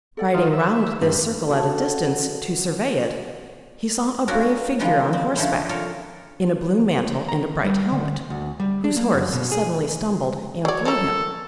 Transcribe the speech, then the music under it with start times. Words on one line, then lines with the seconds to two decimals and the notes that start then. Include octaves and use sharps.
Riding round this circle at a distance, to survey it, he saw a brave figure on horseback, in a blue mantle and a bright helmet, whose horse suddenly stumbled and threw him.
0.17 A4 D5 F#5
0.34 F3 D#4 F4
0.53 E5
1.01 G2 D4 C5 E5
1.48 D4 F#4 A4
4.28 C#4 D4 F4 F#4 G#4 A#4
4.79 D3 D#3 F3 G3 G#3 A#3
5.13 C4
5.36 D3 F3 C#4 E4 C5
5.69 F4 A4 A#4 C#5 F5
7.29 A#5
7.65 G3
7.92 D3
8.30 D2
8.60 G3
8.84 D4
8.96 A#3
9.14 F#2
9.33 B2
9.52 G#4
10.65 F#3 C#5 D5
10.85 F3 A4 A#4